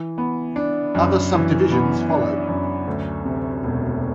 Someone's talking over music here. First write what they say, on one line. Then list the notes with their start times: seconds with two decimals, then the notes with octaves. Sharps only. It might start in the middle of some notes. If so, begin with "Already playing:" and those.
Other subdivisions followed.
Already playing: E3
0.18 B3
0.56 D4
0.95 F#2
1.34 E3
1.72 B3
2.10 D4
2.49 F#2
2.87 D2
3.25 C3
3.64 E1